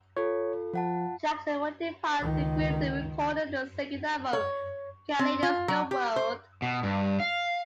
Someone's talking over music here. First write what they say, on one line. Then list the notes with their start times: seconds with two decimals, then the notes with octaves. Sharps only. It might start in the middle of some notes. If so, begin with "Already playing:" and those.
Jackson would depart the group during the recording of their second album, "Kaleidoscope World".
0.17 F4 A4 C#5
0.74 F3 F4 F#5 A5
2.21 C#2 D#3
4.33 C#5
5.19 C4
5.43 F4
5.68 F#3
5.91 G4
6.16 C5
6.62 B2
6.83 G2
7.20 F5